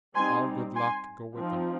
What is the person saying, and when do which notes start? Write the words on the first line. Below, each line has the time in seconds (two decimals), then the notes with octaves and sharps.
All good luck go with them.
0.15 G3 C4 D#4 G#5 C6
0.75 G#5 C6
1.36 F3 C4 D#4